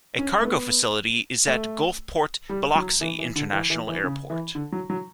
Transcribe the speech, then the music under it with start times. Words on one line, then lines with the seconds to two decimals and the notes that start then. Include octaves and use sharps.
A cargo facility is at Gulfport-Biloxi International Airport.
0.18 C#4
0.40 A3
0.45 B3
1.48 A3
2.49 G3
2.75 F#3
3.01 E3
3.19 E3
3.36 D3
3.53 E3
3.70 E3
3.87 E3
4.04 C#3
4.30 E3
4.55 D3
4.72 F#3
4.90 F#3